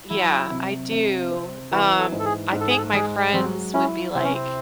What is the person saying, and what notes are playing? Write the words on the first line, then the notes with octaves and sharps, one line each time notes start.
Yeah, I do, um, I think my friends would be, like
F#3 E4
C3
C3
C4
E3 F#4
A4
G#2
A4
G#4
G#2
A4
G#4
A4
G#3 G#4
F#3 C4
C#4 E4
C3 C4
C#4
C4